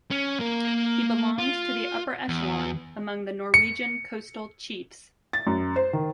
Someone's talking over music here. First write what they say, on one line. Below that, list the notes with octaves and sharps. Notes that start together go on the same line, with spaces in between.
He belonged to the upper echelon among the Norwegian coastal chiefs.
C#4
A#3 A#4
F4
E2
C#7
A6
F#2
C5
D#3